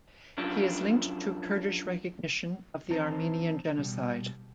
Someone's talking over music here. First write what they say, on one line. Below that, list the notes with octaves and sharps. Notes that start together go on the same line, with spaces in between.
He is linked to Kurdish recognition of the Armenian genocide.
F#2 F3 D4
E3 C4 D#4 C5 A5 A#5
B2 G3